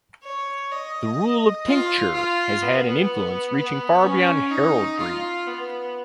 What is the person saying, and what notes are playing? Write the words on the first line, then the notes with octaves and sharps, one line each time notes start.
The rule of tincture has had an influence reaching far beyond heraldry.
C#5
D#5
F4
F4
B3
B3
C#4
D#4
F4
B3